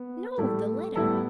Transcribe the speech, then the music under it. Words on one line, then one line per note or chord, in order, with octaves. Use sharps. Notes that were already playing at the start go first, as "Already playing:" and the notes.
"No; the letter."
Already playing: B3
A2 G3 A3 E4 A4
A2 G3 B3 E4 A4